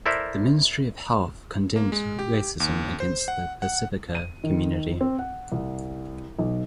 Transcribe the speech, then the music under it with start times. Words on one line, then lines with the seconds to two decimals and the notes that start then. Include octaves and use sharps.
The Ministry of Health condemned racism against the Pasifika community.
0.06 E4 A4 A#4 C5 D5 E5
1.76 A#3
1.92 G#3
2.19 G4
2.60 D#2
3.00 C5
3.28 F#5
3.62 F#5
4.15 D#7
4.44 D#3
5.01 C4
5.19 F#5
5.52 C2
6.39 B1